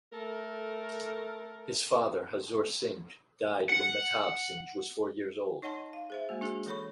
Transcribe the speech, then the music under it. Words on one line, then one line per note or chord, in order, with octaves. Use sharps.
His father Hazur Singh died when Mehtab Singh was four years old.
A3 A4 A#4
F#5
D#4 C#5 D#5 F#5 A5 C6
F5
G#4 C5 E5
G#3 A#3 F#4
D4 F#4 G#4
E3 A4 C#5 B5 C#6